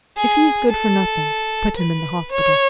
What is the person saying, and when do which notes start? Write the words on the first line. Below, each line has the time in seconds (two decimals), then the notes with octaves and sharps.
If he is good for nothing, put him in the hospital.
0.17 G#4
0.70 A4
1.77 B4
2.31 C#5